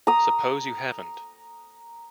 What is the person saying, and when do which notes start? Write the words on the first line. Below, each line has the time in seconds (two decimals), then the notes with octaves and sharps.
Suppose you haven't?
0.07 A#5 D#6